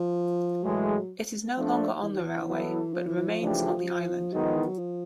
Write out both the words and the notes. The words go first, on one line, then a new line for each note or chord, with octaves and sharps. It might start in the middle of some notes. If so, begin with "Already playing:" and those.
It is no longer on the railway, but remains on the island.
Already playing: F3
A2 E3 F#3 G#3
F3 A3 D4
E3
D#3
E3
F#3 B3 E4 A4
F3
E3
E3
F3
C#3 E3 A3 D4 G4
D#3 F#3 G#3 B3 D#4
F3
E3
F#3
F3